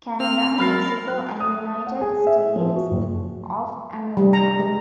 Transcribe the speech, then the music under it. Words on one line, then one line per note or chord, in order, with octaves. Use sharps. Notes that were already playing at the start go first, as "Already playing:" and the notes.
Canada, Mexico, and United States of America.
C4 F6
F#3 A#4 B5 F6 A6 C7
F#6
D#6
F#5
G#4
E5
F3
F#4
F#1
G3
A#5
G#3